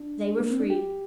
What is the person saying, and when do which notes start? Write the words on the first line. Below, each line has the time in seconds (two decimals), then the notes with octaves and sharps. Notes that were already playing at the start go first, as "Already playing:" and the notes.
They were free.
Already playing: D4
0.40 A#3
0.50 C4
0.60 D4
0.70 G4